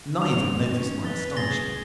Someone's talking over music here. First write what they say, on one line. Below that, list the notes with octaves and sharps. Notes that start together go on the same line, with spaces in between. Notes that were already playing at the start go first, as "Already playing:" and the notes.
Neither noticed my astonishment.
C4 F7 G7
D#3 C#4
B4 A6 G7
C#3 G#4 A6 A#6 G7